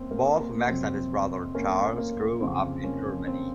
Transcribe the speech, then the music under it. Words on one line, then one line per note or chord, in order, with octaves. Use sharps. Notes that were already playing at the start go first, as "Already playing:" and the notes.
Both Max and his brother Charles grew up in Germany.
Already playing: F#2 A#3 C4 C#4
A#3
A#3
F2 C3 F#3 C4
A#3 C#4
A#3
F2 C#3 F3 C4
A#3 C#4
C4